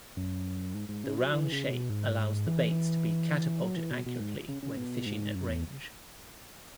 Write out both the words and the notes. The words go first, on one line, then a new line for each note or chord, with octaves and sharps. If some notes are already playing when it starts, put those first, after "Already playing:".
The round shape allows the baits to be catapulted accurately when fishing at range.
F#2
G#2
G#2
C#3
F#3
E3
C#3
B2
G#2
E3
F#3
E3
B2
B2
G#2
C#3
C#3
B2
G#2
F#2
E2